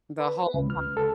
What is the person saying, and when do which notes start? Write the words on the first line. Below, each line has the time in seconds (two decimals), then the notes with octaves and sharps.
The whole
0.20 B4
0.54 C#2
0.70 F6
0.97 A4